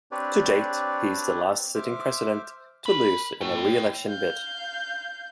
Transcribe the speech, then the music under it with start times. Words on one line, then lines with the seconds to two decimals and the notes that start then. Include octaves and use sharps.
To date, he is the last sitting president to lose in a re-election bid.
0.12 C4 D4 G4 B4 C#5 D5
1.75 C5 E5 D6 F6
2.86 A#4 B5
3.41 C#5 G5
4.06 F5 G6